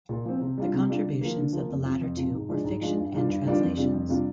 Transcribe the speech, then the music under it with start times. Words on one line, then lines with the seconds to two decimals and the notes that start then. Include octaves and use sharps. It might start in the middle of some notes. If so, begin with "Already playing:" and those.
The contributions of the latter two were fiction and translations.
0.09 A#2
0.25 F3 C4
0.41 C3
0.58 G3 D4 F4
0.74 C3
0.90 G3 D4 F4
1.05 D3
1.21 F3 A#3
1.37 D3
1.53 F3 A#3
1.69 F2
1.85 C3 F3
2.01 F2
2.17 C3 F3
2.33 G#2
2.49 F3 G#3 D4 F4
2.65 G#2
2.81 F3 G#3 D4 F4
2.97 G2
3.13 D#3 G3 D4 F4
3.29 G2
3.45 D#3 G3 D4 F4
3.61 F2
3.77 C3 G3 D4 F4
3.92 F2
4.09 C3 G3 D4 F4